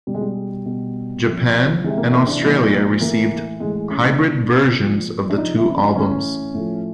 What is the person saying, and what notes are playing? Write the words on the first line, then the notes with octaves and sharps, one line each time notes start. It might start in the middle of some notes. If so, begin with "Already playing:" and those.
Japan and Australia received hybrid versions of the two albums.
B2 G3
G#3
G3
B2
C3 F3
C3 E3 G#3
A#3
A#3
D4
A#2 F3 D#4
A2 E3 A#3
A2 E3 G#3
G#3
C#4
D4
B2
F3
A#2
D4
C3 F3 D#4
E4
C#4
D4
A2 E3 C#4
A2 F3